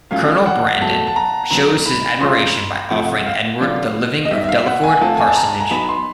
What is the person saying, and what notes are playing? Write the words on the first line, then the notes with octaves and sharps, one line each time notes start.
Colonel Brandon shows his admiration by offering Edward the living of Delaford parsonage.
A2 F#3 A3 C#4 F4 F5
F#5
B2 F#3 A3 A5
A5
A#5
D3 F#3 B3 A#5
B5
C3 F3 G#3 C#4 F4 C6
C3 F3 A3 F#5
F5
D3 F#3 B3 D4 F4
D#5
G3 B3 D#4 E5
E5
F5
F#5
G#5
F3 A3 C4 F4 A5
G#5
A5
A#5
A#5
F#3 B3 D#4 B5
C6